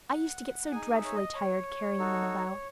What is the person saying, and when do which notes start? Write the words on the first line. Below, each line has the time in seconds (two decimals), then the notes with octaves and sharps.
I used to get so dreadfully tired carrying them about.
0.09 F#5
0.71 D#4 G#4 G#5
0.94 E5
1.04 C#5
1.14 D#5
1.35 C#5
1.99 D#4 F#4 A4